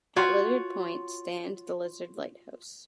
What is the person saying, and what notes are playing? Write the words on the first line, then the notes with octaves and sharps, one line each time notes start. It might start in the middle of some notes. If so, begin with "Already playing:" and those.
At Lizard Point stands the Lizard Lighthouse.
F4 F#4 C#5